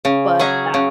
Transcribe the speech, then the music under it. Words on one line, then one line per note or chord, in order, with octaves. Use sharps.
but, yeah
C#3
F#3 C#4 G#4
C#3